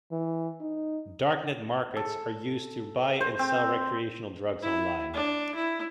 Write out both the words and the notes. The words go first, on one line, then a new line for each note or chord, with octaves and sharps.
Darknet markets are used to buy and sell recreational drugs online.
E3
D#4
A4
C5
C4
E4
D4
E4